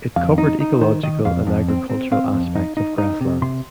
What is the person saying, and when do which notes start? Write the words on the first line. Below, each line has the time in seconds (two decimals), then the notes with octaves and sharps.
It covered ecological and agricultural aspects of grasslands.
0.16 F2 F5
0.38 D#4
0.60 D#4
0.81 D#3 C5
1.03 D#3 D#5
1.25 F2 F5
1.47 F2
1.68 C4
1.90 C4
2.12 C4 F5
2.33 F2
2.55 D#4
2.77 D#4
2.98 D#4
3.21 C3
3.42 C3 C6